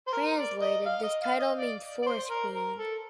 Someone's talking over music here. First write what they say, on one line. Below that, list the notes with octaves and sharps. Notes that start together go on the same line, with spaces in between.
Translated, this title means Forest Queen.
C5
A#4
D5
D#5
F5
D#5
F5
D#5
D5
D5
C5
A#4
A#4
A4